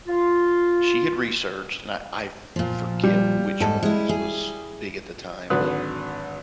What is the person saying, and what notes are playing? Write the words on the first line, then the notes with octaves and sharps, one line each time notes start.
she had researched, and I I f forget which ones was big at the time, but
F4
A#2 F3
G3
G#2 A4
G#3 E4
G#4
G#1 D3 F#3 B4 D#6 F#6